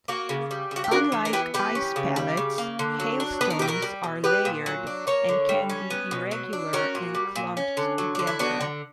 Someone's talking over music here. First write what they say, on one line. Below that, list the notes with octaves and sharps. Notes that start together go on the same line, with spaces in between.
Unlike ice pellets, hailstones are layered and can be irregular and clumped together.
A#3 F#4 A#4
C#3
G3
C#3
F#4
G4
D4 F#4 A#4
E3
A#4
B3 E4 G4
E3 G4 B4
C#4
C#3
G3
C#3
A#3
D3
F#3
D4
B3 B4
A#4
B2 G4
F#4 A#4
G3
B2
B3 G4 B4
A#2
F#3
D4
A#3 A#4 C#5
D3
G3
C#4
B3
B2
F#3
D4
C#4 F#4 A#4
A#2
G3
A#2
C#4
D3
F#3
D3 D4
E4
B3 D4 F#4
D3